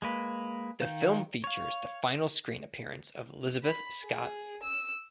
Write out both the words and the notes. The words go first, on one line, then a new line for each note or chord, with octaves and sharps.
The film features the final screen appearance of Lizabeth Scott.
G#3 A#3 B4
D#3 F5 G6
C#5 F5
B5
G#4
E6